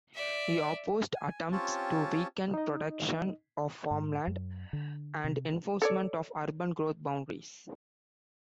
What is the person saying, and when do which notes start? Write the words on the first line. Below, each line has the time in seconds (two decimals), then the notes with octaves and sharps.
He opposed attempts to weaken protection of farmland and enforcement of urban growth boundaries.
0.14 D5 E5
1.14 G#5
1.52 C4 C#4 F4 G4 C#5 A5
2.54 D#4 D#5
3.91 G#2
4.27 F#2
4.73 D3
5.24 C3
5.82 A4 C#5 D5